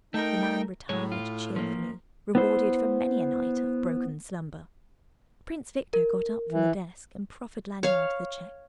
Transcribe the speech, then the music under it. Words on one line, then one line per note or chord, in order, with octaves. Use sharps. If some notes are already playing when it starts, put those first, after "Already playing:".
The man retired cheerfully, rewarded for many a night of broken slumber. Prince Victor got up from the desk and proffered Lanyard the cheque.
A3 D#4 A#4 G5
A2 G#3 C#5
F4
F3 A#3
B3 E4 C5
A#4
E3
C#5 F5